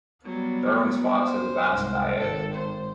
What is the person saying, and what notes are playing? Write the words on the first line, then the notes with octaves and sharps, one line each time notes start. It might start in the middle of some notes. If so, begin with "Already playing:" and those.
Darwin's fox has a vast diet.
F#3 G3 B3
C5
C2 G#2
G#1 A4
C5